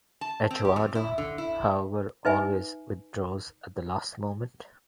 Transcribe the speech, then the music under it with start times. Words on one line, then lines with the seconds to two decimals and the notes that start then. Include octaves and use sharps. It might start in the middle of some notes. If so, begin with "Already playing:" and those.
Eduardo however always withdraws at the last moment.
0.21 A5
0.51 C4
0.65 G4
0.76 F2
0.95 E4
1.18 D3
1.38 E4
2.25 D#4 B4 E5 G#5